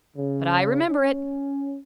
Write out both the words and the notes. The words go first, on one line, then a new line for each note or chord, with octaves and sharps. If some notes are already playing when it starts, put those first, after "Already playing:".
But I remember it.
C#3
C#4